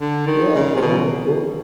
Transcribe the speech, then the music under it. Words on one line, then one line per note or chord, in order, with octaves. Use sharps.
Yeah, cool, cool.
D3
D#3
C#3
C3
B2